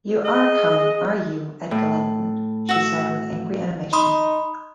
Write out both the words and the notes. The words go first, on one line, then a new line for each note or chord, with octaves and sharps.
'You are come, are you, Edgar Linton?’ she said, with angry animation.
G#4 D#5
A2
F#4 E5
D#4 B5 C6 D#6